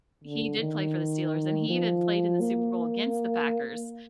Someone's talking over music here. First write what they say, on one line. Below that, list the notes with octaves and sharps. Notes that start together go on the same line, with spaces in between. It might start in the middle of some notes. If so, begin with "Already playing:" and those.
he did play for the Steelers and he even played in the Super Bowl against the Packers,
D3
D#3
F3
A#3